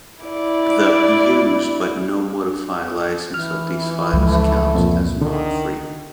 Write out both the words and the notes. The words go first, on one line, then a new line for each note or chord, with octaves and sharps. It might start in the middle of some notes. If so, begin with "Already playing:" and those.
The "use, but no modify" license of these files counts as non-free.
E4 D5
E3 F6
C#2 F3 G#3 A3
F2 A#2
D3 D#3